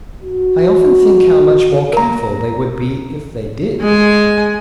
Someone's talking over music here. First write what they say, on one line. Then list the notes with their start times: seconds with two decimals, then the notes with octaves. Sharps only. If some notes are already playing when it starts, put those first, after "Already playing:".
I often think how much more careful they would be if they did.
0.22 F#4
1.93 A#4 A#5
3.80 G#3 G#5